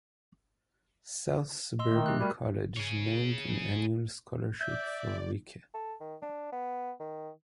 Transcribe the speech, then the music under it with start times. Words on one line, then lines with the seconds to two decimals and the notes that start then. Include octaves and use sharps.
South Suburban College named an annual scholarship for Rieke.
1.79 D#5 C6 E6
1.91 D#3 A3
2.06 G4 F#6
2.20 G3 F#4 A#4
2.77 G#4 C#5
4.61 D5 E5 G6
5.74 A4
6.00 D#3
6.22 D4
6.52 B3
7.00 D#3